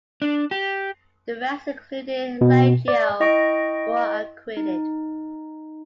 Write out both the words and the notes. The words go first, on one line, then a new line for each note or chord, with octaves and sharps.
The rest, including Leggio, were acquitted.
D4
G4
B2
D5
E4 D#5 G5 C#6 A#6 D7
D#4